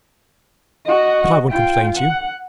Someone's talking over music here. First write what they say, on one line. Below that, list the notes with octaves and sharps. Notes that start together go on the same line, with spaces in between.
But I won't complain to you!
F#4 D#5
F4 G5
F#5